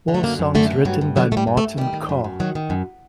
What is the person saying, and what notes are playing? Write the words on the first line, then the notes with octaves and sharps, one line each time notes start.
All songs written by Martin Carr.
D3
A3
F#2 A#3
F#2
D3 A3
D3
G2 F#3
G2
D3 F#3
D3 A3
G3
G2
A3
G2
D#3 G3
D#3
F#2
F#2
D#3 F#3
D#3
F#2